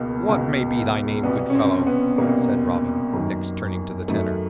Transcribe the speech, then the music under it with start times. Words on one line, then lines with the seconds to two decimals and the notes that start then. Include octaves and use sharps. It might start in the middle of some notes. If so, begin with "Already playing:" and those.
"What may be thy name, good fellow?" said Robin, next, turning to the Tanner.
Already playing: C#2 B2 A#3
0.29 C#2 B2
1.23 C2 B2 B3
1.50 C#4
1.55 C4
1.86 B3
2.18 C2 B2 A#3
3.13 F#2 D#3
4.08 F#2 D#3 A3